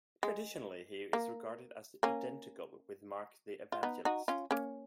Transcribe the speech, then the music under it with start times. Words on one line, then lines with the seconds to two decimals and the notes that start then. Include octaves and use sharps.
Traditionally he is regarded as identical with Mark the Evangelist.
0.23 G#3
1.13 A#3
2.03 A#3 C#4
3.72 F4
3.83 B3 D#4
4.05 D#4 F#4
4.28 C#4 F4
4.51 A#3 C#4